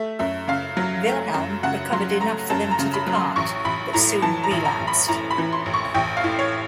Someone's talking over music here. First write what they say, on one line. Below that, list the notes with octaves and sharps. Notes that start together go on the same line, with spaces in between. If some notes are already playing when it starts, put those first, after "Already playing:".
Wilhelm recovered enough for them to depart, but soon relapsed.
Already playing: A3 E5
F#2 E5
C#3 F5
F#3
A3
F#2
C#3 F#5
F#3 C6
A3 A#5
F#2 A5
A#5
C#3
B5
F#3
C6
A1 C#6
A1 B5
A2 A#5
E3 A5
A#5
A1
A#5
A1
B5
A2 A#5
B5
E3
C6
A1
C#6
A1 G5
F5
A2
C#5